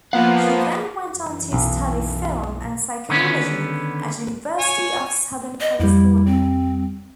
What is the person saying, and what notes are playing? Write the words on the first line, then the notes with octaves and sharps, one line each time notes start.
She then went on to study film and psychology at University of Southern California.
F3 A#3 B3 F5 F#5
F#2 E3
B1
D3 D#3 B3 C#4
C#5 G#5
D#5
F2 G3 E4
C4